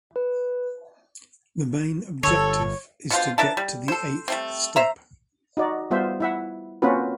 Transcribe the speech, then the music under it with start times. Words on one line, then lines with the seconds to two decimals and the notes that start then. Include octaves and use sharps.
The main objective is to get to the eighth step.
0.16 B4
2.23 G1 D3 A4 C#5
3.11 B2 D3 F4 C5
3.38 D4 A#4 E5 A5
3.57 G3
3.88 A4 C5
4.28 G3 A3 C4
4.76 C5 E5 A#5
5.57 D#4 F#4 D5
5.91 G3 B3 F4 C5 E5
6.20 E4 E5 F#5
6.82 A#3 C4 C#4 F4 F#4 B4